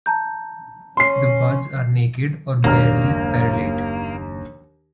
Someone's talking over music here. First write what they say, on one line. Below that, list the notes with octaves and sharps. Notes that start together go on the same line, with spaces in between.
The buds are naked or barely perulate.
A5 A#5 G6
C#4 C6 C7
F#1 D#2 G#3 A#3 D4 A#5 F6